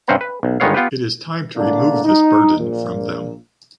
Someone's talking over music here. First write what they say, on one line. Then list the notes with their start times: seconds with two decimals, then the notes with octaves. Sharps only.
It is time to remove this burden from them.
0.08 G2 C3 C#4 C5 F#5 A#5
0.21 B4
0.43 B1
0.60 G1 D#3 G#3 B3 C#5 F5
0.74 B3 F4 G4 B4
1.56 E2 D3 A3 A#3 D4
2.04 D#4
2.58 A#1 A#2